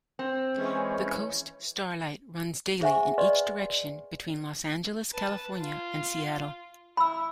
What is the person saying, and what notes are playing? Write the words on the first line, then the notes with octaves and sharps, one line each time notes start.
The "Coast Starlight"runs daily in each direction between Los Angeles, California and Seattle.
C4
E3 G#3 C#4 C#5
G#4 C5 E5 F#5 G#5 C#6
B4 D5 D#5 F#5 C6 C#6
B4 A5
F4
E4 B5 E6